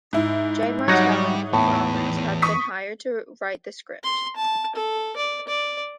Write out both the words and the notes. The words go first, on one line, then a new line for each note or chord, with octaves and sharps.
Jay Martel and Ian Roberts have been hired to write the script.
G#2 E4
F#3 G3 D#4 C#5 F#5 D#6
E2 A2 B3
C#6 D#6 B6
C6
A5
A4
D5
D5